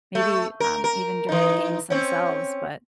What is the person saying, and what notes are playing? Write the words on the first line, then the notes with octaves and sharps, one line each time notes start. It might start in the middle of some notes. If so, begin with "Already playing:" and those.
maybe, um, even during the games themselves, but
A3
A#4
A#4
E3 D#4
C4 C#4